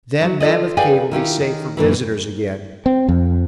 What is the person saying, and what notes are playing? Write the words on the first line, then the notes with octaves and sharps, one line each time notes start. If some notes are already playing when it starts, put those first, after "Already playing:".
Then Mammoth Cave will be safe for visitors again.
F#3 F#4
F4 A4 D5 D#5
G#4 B4 D5 F5 G5 G#5
D#3 E4 F4 G4
D#3
F#2 A#2 E3
C4
F2